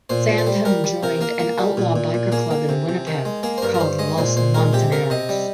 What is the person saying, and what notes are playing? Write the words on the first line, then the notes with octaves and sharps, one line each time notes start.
Sandham joined an outlaw biker club in Winnipeg called los Montoneros.
A#2 C5
A#2
C5
G3
G3 A#4
G3
C3 A#4
A#3 A#4
A#3
G3
A#2
A#2
A#2
A#3 G#4
A#3
C3
C3
D#3
G#3
A#3 G#4
C5
G2 A#4
A#4
G2 C5
G#3 D#5
A#2 C5
A#2 C5
G#3 A#4
C3 G4
C3 A#4
C3 D#5
G3